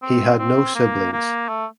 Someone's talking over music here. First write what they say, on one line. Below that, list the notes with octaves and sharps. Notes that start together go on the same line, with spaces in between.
He had no siblings.
C4
C4
A#3
A#3
A3